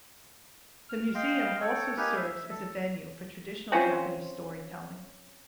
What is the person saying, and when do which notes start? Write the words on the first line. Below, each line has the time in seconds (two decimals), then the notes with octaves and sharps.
The museum also serves as a venue for traditional Japanese storytelling.
0.89 F6
1.15 D#5 F5 G5 C6
1.61 A4 C#5 G5
1.97 A#3 D#4 G4 B4 G#5 F6
2.16 E5
2.50 A4
3.72 C4 C#4 F4 C5